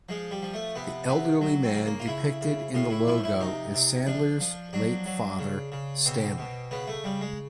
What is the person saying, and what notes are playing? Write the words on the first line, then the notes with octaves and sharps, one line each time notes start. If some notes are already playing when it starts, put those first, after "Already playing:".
The elderly man depicted in the logo is Sandler's late father, Stanley.
F3 G#3
G3
F3
A3
C3 B3
C3 B3
F#3
C4
C#3
A#3
F4
C#3 E4
C#3
A2 F4
E4
F3 E4
E4
C3 D#4
C3
F3 D4
F3
F#3 D4
F#3
C#3
C#3
B2 C4
B2
C#3 B3
A3
C#3 G3
G#3